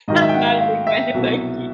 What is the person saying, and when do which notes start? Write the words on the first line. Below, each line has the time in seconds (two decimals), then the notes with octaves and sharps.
I'm not a big fan of turkey.
0.08 G#2 D#3 F#3 D#5
0.22 E5
0.29 G5
0.34 F#5
0.47 F5
0.61 F5
0.87 E5
1.14 C2 B2 F#3 B3